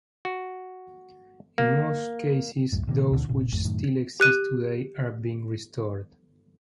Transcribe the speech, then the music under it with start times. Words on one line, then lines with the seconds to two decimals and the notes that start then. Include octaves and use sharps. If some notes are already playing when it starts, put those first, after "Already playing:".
In most cases those which still exist today are being restored.
0.25 F#4
1.58 A#3
2.72 C2 F#2 A2
2.87 A#2 D#3 E3 A#3
3.11 D2 B2 D3 E3
3.29 F1 A#2 C#3
3.52 G#1 F2 A3
3.64 F#2 A2 D#3
4.20 G4 F#6 D#7